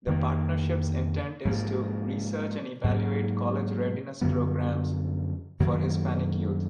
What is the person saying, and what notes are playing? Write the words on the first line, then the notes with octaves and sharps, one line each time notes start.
The partnership's intent is to research and evaluate college-readiness programs for Hispanic youth.
F2 D#3 A#3
G#2 F3 A#3
G#2 F#3 A#3
F#2 D3 F3 B3
F#2 D#3 F#3 A#3